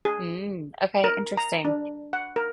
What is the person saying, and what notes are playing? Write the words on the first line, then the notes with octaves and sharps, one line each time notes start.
Mm. Okay, interesting.
G#4
A#4
A#5
D4
F#5
A#4